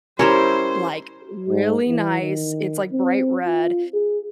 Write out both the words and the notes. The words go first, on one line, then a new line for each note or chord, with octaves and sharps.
like, really nice, it's like bright red
G3 C#4 E4 G4 A#4 C5 C#5
G#2
E3
D#3
C4
F4
G#4